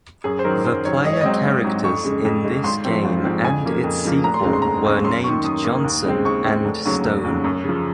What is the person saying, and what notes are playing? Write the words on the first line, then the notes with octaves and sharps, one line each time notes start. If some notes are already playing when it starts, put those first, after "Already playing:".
The player characters in this game and its sequel were named Johnson and Stone.
F#2 G#4
C5
D#3 F#3 A#4
F#2 C5
D#3 F#3 C#5
G#1 D#5
C#5
G#2 F#3 C4 D#5
G#1
G#2 F#3 C4
F2 C#6
C#3 G#3
F2
C#3 G#3
G#1 C6
G#2 F3 C4
G#1
G#2 F3 C4
F2 G#5
C#3 F3 A#3
F2
C#3 F3 A#3
F1 A#5
C6
D#2 C#3 G#3 C4 A#5
C6
F1 A#5
D#2 C#3 G#3 C4
F#2 C6
D#3 A#3 C#6
F#2 D#6
D#3 A#3
D#2
C#3 G#3 C4
D#2 C#6
C#3 G#3 C4
F1
D#2 C#3 F#3
F1
D#2 C#3 F#3
F#2
C#3 F3